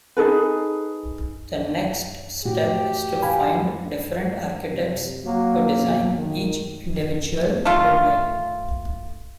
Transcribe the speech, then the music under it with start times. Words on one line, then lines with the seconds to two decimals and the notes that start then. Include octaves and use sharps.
The next step is to find different architects to design each individual building.
0.17 D#4 G#4 A4 B4
2.45 A2 F#4 G4
3.22 F5 G#5 B5
4.72 C3
5.25 F#3 A#3
5.79 B2
6.17 D#3
7.65 A3 F4